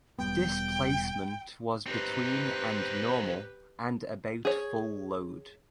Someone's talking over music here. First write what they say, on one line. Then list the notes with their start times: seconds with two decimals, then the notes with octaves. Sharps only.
Displacement was between and normal and about full load.
0.19 E1 G3 B3 G5
1.86 C4 D#4 G4 B4
4.45 G#4 C#5